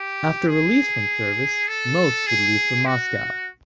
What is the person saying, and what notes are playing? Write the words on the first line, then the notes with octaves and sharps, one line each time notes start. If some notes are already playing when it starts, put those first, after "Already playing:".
After release from service, most would leave for Moscow.
Already playing: G4
G#4
A4
G#4
F#4